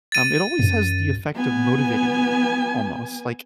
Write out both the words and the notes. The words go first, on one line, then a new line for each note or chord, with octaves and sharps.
um, it always has the effect of motivating me almost. Like,
A6 D#7
F#2
B3 G#5